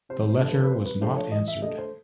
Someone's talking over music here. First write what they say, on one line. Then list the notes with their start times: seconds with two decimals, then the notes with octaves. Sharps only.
The letter was not answered.
0.09 C3 C5
0.29 C5
0.40 F3 A3 D4
0.51 B4
0.63 B4
0.70 C3 C5
0.86 B4
1.01 F3 A3 D4 C5
1.16 C#5
1.32 E3 D#5
1.48 E5
1.62 A3 D4 D#5
1.78 C5